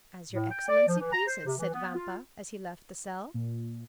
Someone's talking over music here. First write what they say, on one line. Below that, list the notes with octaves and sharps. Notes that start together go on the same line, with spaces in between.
"As your excellency pleases," said Vampa, as he left the cell.
A2
G5
D5
F3
E3
A#5
C5
C3
E3
B3
F4
A#2